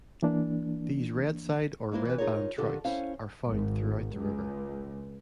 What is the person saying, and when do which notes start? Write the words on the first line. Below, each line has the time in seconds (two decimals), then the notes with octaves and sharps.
These redside or redband trouts are found throughout the river.
0.23 E3 A#3 D4
1.92 G#3 A#3 E4 C5
2.05 E3 B4
2.18 D#4 F4 G#4 A#4 C#5
2.58 D3 D#3 F4 G4 A4
2.85 C#4 E4 C5 F5
3.48 G#1
4.14 C#2